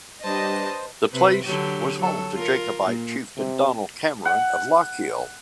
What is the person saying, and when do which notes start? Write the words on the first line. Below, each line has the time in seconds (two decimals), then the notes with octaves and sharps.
The place was home to Jacobite chieftain Donald Cameron, of Lochiel.
0.23 G3 D4 G4 B4 C5 D#5 A5
1.12 C3 B4
1.43 D3 F#3 G4
1.98 F#3 A4
2.35 F4 A#4
2.85 A#2
3.37 C3
4.25 F#5